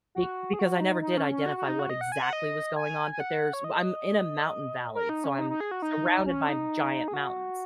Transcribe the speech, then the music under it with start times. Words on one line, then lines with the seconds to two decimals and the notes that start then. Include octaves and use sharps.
be because I never did identify what exactly was going on- but there's w I'm in a mountain valley, so I'm surrounded by giant mountains.
0.15 F#4
0.53 G#4
0.59 F#4
0.80 D#4
1.02 D#4
1.17 C#4
1.31 C#4
1.46 F#4
1.58 F#4
1.68 D#4
1.79 F#4
1.89 D#5
2.01 F#5
2.12 G#5
2.22 F#5
2.33 D#5
2.76 G#5
3.12 G#5
3.20 F#5
3.53 C#5
3.64 D#5
4.95 A#4
5.09 D#4
5.24 C#4
5.39 D#4
5.50 D#4
5.60 G#4
5.71 F#4
5.82 D#4
6.26 C#4
6.48 D#4
7.08 G#4
7.14 F#4